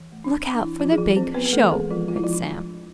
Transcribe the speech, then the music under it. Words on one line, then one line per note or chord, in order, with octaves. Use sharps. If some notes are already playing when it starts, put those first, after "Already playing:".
"Look out for the big show," read Sam.
Already playing: E3
A3
D4
C4
D4
E3 E4
F3 F4
E3
G#4
F3 F4
A3
C4 C5
B3 C4 B4
B4
A3 A4
E3
G#3 G#4
E3
F3 F4
G#3 F4
E4
F3 F4
D4
F3